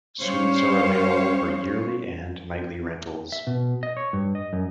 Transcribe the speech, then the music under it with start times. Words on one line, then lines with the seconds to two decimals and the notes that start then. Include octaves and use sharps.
Suites are available for yearly and nightly rentals.
0.20 G3 C#4 C5 C#5 F5
3.32 E5
3.47 B2
3.83 D#5
3.97 C#5
4.13 G2
4.35 D#5
4.53 F#2